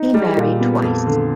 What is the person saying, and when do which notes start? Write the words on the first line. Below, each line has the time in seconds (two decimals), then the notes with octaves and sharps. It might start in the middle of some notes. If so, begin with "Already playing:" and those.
He married twice.
Already playing: D#4
0.14 G3
0.37 A#2
0.60 B3
0.83 F2
1.06 D3